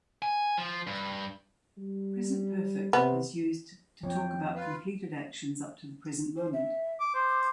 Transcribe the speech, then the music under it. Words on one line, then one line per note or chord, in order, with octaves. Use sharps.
Present Perfect is used to talk about completed actions up to the present moment.
G#5
F3
G2
G3
C3 B3
F2 F3 C#5 G5
F4 B4
C5
E5
D6
C5 D6